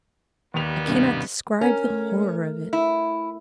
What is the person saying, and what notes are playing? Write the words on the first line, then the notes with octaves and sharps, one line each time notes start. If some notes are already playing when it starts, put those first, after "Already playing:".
I cannot describe the horror of it.
D#2 G3 A#3 B3 F7
C2 G2 B2
C#4 A#4
A3
E4